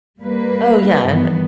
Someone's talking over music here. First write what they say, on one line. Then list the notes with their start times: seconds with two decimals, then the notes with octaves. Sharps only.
Oh, yeah.
0.20 G3 A#3 B4
1.04 G2 D#3 E3 B3